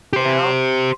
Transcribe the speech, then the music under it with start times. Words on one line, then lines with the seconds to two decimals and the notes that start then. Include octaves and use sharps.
You know?
0.13 G4 C5